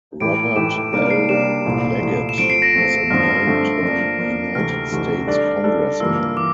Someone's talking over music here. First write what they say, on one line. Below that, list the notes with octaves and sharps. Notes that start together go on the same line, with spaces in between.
Robert L. Leggett was a nine-term United States Congressman.
A2 E3 A3 E4 G4 D7
A2 E3 A3 E4 G4 E7
C3 G3 A#3 D4 D7
C7
C3 G3 A#3 D4 E7
C2 A#2 F3 A3 E4
C2 A#2 F3 A3 E4
E7
F3 A3 C4 F4 D7
C7
A#6
F3 A3 C4 F4
G2 D3 F3 A3 C4 F6
G2 D3 F3 A3 C4
F3 A#3 D4
F3 A#3 D4
D2 C3 E3 A3 F6
D2 C3 E3 A3
G3 D4 A4 D5
G3 D4 A4 D5
G2 E3 A#3 F4 E6
E3 D6